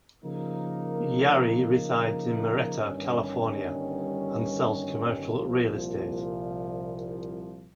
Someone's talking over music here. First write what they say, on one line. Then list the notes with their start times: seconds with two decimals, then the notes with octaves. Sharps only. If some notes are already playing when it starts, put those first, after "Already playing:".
Yary resides in Murrieta, California, and sells commercial real estate.
0.23 C#3 F3 A#3 D#4 A#4
2.79 G1 G2 D#3 G3 C#4
5.35 C2 A#2 F3